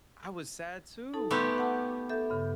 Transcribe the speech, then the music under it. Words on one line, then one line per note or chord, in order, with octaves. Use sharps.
I was sad too!
D#4 A4 A5
A3 B3 G4 C6
F#5 A5
A4 E5 G6
G2 C#3